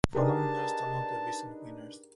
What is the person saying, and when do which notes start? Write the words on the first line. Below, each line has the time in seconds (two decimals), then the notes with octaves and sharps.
The following are some of the recent winners.
0.15 D4 D#4 G4 G#4 A#4 B4 A5